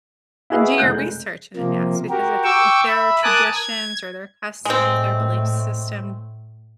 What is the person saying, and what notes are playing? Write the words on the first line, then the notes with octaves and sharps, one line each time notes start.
and do your research in advance because if if their traditions or their customs or belief system
E4 F#4 G#4 B4 D#5 F5
F1 G#3 F#6 G6
C3 F3 A#3
F#4 G4 A#4
G5 C#6 D6 E6
E5 B5
A#4 G#5 A5 D6 D#6 F#6
G#6
A2 G#3 C4